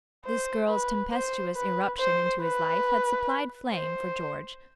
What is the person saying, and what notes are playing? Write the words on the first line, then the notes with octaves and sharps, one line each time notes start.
This girl's tempestuous irruption into his life had supplied flame for George.
C5
B4
C5
B4
C5
B4
C5